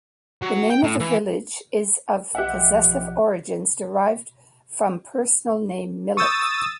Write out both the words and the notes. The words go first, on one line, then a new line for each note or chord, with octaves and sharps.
The name of the village is of possessive origins derived from personal name "Milik".
F#3
G5
A2
E3
B1 F3 G4 D#5 E5 F#5 F#6
C#6 D#6 E6 G6 A6